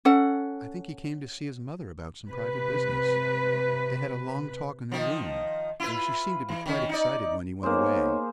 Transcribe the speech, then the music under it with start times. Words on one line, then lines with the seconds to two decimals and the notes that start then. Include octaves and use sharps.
I think he came to see his mother about some private business. They had a long talk in her room, and she seemed to be quite excited when he went away.
0.05 C#4 A4 F#5
2.30 C3 B4
4.92 D#3 F3
5.80 E4 F4 B4
6.49 E3
6.66 D#3 C#4
6.89 D#4 D5
7.63 A#3 B3 D#4 G#4 C5 C#5